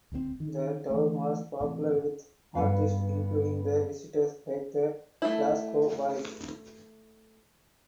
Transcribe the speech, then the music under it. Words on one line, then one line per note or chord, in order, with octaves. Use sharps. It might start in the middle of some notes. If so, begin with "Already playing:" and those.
The town was popular with artists including the visitors like the Glasgow Boys.
D1 C#2 C3 C4
D#3
E3 A3
A2 C3 E3
G2 B3 B4 F5
A3 E4